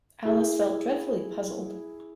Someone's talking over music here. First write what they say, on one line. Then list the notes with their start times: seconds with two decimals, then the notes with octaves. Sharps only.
Alice felt dreadfully puzzled.
0.25 E4 G#4